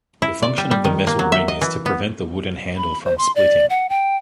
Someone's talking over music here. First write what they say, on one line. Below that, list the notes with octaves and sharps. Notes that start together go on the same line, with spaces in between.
The function of the metal ring is to prevent the wooden handle from splitting.
E4
D5
G3
G3
D#3
A#3
F#3
E5
D#5
E3
B3
B5
C5
C6
D5
F#5
G5